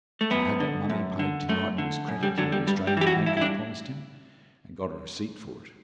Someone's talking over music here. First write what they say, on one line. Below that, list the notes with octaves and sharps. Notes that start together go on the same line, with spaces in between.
I've had that money paid to Knightley's credit in the Australian Bank I promised him, and got a receipt for it.'
A3
F#2 B3
D3
F#2
D3
F#2 A3
D3
F#2
G3
D3 F#3
G3
G2 G3
G3
E3 G4
F#4
G2 E4
E4
D4